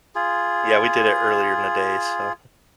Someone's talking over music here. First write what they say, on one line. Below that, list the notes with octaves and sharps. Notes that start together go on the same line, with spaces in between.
Yeah, we did it earlier in the day, so.
F4 G#4